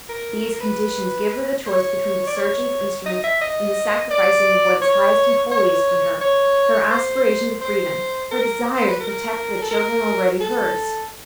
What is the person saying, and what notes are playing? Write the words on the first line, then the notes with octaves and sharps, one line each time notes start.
These conditions give her the choice between the surgeon's instruments and the sacrificing of what is highest and holiest in her--her aspiration to freedom, her desire to protect the children already hers.
A#4
B4
C#5
D5
C#5
D#5
E5
D#5
D5
C#5
C#5
C#5
C5
C5
A#4
C5
B4
A#4
A4
A#4
A4